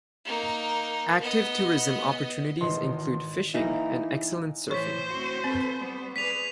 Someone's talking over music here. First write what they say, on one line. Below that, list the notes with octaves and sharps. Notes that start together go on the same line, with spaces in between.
Active tourism opportunities include fishing and excellent surfing.
A#3 D#4
B3 D#5
G#1 E3 D#5 C6
E3 A#3 D#4 A#4
A2 E3 C5 C#5 C#6 B6
D2 C4 F#4
C4 F4 A4 B4
G3 B3
G#4 B4 D5 B6 D#7 F7